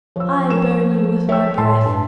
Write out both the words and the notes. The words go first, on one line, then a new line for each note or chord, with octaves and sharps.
I burn you with my breath!
F3 C#5 E6
A#4 E7
C#5 E5 G5 E6
A2 A5 C6
G2 A5